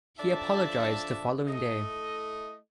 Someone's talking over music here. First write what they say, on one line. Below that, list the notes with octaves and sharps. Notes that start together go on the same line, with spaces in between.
He apologised the following day.
D3 F3 D4 D5 E5 A5
A3 E4 A4 D#5